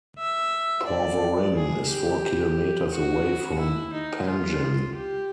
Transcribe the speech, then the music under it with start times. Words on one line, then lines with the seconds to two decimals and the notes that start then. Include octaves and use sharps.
Porvorim is four kilometres away from Panjim.
0.19 E5
0.87 D5
1.55 G#4
1.89 G4
2.91 F#4
3.59 E4
3.93 D#4
4.27 F4
4.95 G4